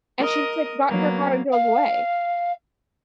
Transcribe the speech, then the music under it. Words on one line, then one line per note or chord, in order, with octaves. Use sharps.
And she's, like, got in her car and drove away.
A#4 D#5 D#6
F#3 A#3 B3
F5